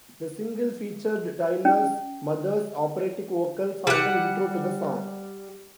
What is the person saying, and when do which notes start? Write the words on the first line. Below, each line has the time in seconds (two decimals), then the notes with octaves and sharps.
The single featured Tyler's mother's operatic vocals on the intro to the song.
1.65 C#4
3.87 G3 F#5